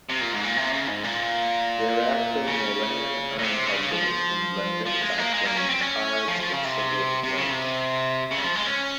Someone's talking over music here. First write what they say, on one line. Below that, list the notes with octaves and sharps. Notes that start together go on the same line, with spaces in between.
Thereafter Moran earned a living in London by playing cards at several clubs.
C3
A#2
G#2
A#2
C3
C#3
G#2
A#2
C#3
A#2
C3
C#3
F3
F3
G#3
A#3
G#3
A#3
C#4
C4
C#4
F3
F3
C#3
C3
C3
C#3
C3
C#3
G3
F3
G#3
C#4